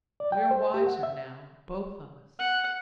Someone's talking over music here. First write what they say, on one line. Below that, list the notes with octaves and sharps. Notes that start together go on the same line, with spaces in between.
We are wiser now both of us.
D5
G5
C5
G4
F#5
E5
F#5